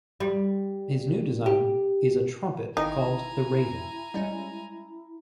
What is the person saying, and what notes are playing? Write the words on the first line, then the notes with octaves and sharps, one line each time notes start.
His new design is a trumpet called "The Raven".
G3
G4
G#1 D#4 E4 G5 G#5 A#5 A#6
G3 G#3 C#4